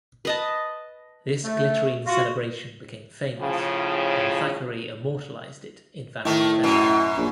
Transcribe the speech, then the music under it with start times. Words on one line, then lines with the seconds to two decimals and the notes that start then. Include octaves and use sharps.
This glittering celebration became famous, and Thackeray immortalised it in "Vanity Fair".
0.25 B4 D#5 A5
1.44 A3
2.06 F4 F#4
3.40 A2 C#3 F3
6.25 A2 D#3 A3
6.63 F#2 B2
7.17 A#1